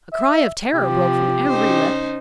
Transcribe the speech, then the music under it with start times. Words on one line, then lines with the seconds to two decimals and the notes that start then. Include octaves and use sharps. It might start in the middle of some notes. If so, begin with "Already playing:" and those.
A cry of terror broke from every lip.
0.13 E5
0.75 C3 F3 G4
1.48 C#4 D#4 C5